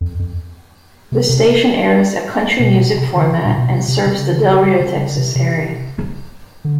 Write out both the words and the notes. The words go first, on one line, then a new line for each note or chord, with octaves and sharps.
The station airs a country music format and serves the Del Rio, Texas area.
F2
F2
C3
C3
B2
C3
D3
C#3
A#2
B2
C3
C3
C#3
C#3
C3
C3
D3